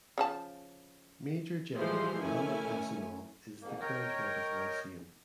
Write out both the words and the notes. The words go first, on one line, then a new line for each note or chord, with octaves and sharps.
Major General Mahammad Hasanov is the current head of the lyceum.
C#3 F3 A5
E3 F3 G3 G#3 C5 C6
D#3 A3 C#4 E4 G#5
F2 G#2 A#3
A#4 C#5 D#5 G5